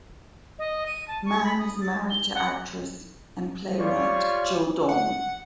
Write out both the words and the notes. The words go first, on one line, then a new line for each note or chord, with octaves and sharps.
Mann is married to actress and playwright Jill Daum.
D#5
D#7
A5
C#6
B5
D#6
A6
G7
F#5
G3 F4 C#5 D5 G5 C#6
F#5